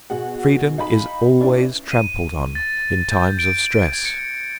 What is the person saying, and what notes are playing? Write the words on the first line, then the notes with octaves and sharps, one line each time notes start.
Freedom is always trampled on in times of stress.
B2 F#4 G#4 F#5
D#4 F5 G#5 B5
C#4 D4 E4 B4 D5
D#7
A6
G6
D7
G#6
C#7